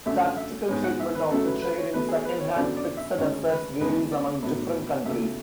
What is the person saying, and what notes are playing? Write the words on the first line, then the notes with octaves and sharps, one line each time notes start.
Statistical treatment of the trade in second-hand fixed assets varies among different countries.
F#2 D3 A3 E5
E5
G#2 G#3 B3 C#5
F#5
E5
B4
F#2 C#3 F#3 A3 A4
B4
B4
C#5
B2 A3 B4
G#4
B4
C#5
F#2 D3 F#3 B3 D5
D5
E5
D2 C#3 G#3 C#5
B4
D2 C#3 G#3 B3 B4
D5
A2 F#3 B3
C#2 B2 A3 E5